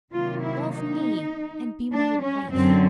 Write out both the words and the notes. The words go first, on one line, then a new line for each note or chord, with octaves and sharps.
Love me and be my wife.
C3 D#3 F#3 A#3 F4
E4
D#4
D4
C#4
F#2 D3 F#3 C4